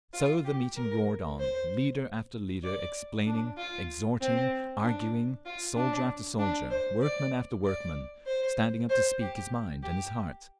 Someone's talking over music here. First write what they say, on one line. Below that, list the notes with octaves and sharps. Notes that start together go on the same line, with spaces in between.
So the meeting roared on, leader after leader explaining, exhorting, arguing, soldier after soldier, workman after workman, standing up to speak his mind and his heart....
F4
G4
A#4
C5
D5
D4
F4
C4
D4
F4
D4
D4
C5
D5
D5
C5
C5
G4
G4